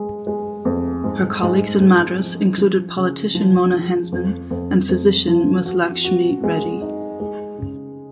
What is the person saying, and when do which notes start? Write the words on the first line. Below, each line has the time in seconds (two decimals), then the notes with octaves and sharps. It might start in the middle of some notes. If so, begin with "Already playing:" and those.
Her colleagues in Madras included politician Mona Hensman and physician Muthulakshmi Reddy.
Already playing: G#3
0.27 G#3
0.65 F2
1.04 G#2
1.43 G#2
1.81 G#2
2.20 F3
2.58 F3
2.96 C#3
3.35 F3
3.73 F3
4.12 F2
4.51 F2
4.89 F2
5.27 F3
5.66 F#4
6.04 F#4
6.44 G#3
6.82 D#4
7.20 G#3
7.58 C#3